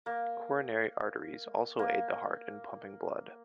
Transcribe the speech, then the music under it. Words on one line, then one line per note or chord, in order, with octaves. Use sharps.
Coronary arteries also aid the heart in pumping blood.
A#3
A#3